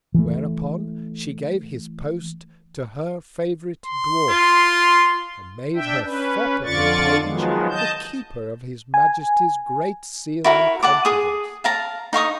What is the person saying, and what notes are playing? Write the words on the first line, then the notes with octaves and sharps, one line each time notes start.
Whereupon she gave his Post to her favourite Dwarf, and made her Fop of a Page the Keeper of his Majesty's great Seal, and Confidence.
E3 A3
C6
F4
D4 E5 G5
C#4 B4
F2 D3 F4 D5 C#6 A6
D#3 F3 F#3 G#3 B3
D#5 A5 G6
G#5
E4 F#4 A#4
F#5 A5 D6
G#4 D#6
F5 A5 A#5
D#4 F5 C#6 D#6